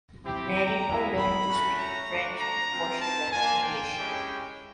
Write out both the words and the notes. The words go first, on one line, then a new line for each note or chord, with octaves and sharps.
Marinho learned to speak French before she learned English.
C4 E4 G4
A#5
G#3 B3 E4
B5
A3 C#4 F#4
A#5
A3 D4 F#4
A#5
C4 F4
A5
A#3 D4 F4 G#5
G5
G#3 C#4 E4 G4